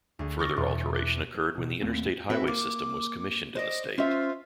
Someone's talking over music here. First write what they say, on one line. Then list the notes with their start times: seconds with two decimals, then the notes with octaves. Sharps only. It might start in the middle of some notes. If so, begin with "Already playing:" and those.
Further alteration occurred when the Interstate Highway System was commissioned in the state.
0.19 D2 G#4
0.39 C#6 D6 F6 A6 A#6
0.56 E2 B2
0.94 D6 F#6
1.58 B2
1.81 D#2 A3 A#3 C4
2.30 C4 F#4 B4 E5
2.48 A#3 D6
3.55 C5 D5 D#5
3.98 C#4 F4 C5 E5